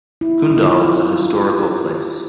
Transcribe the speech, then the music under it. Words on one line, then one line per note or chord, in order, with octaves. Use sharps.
Kundal is a historical place.
E4
D#4
F4
E4
F4
G4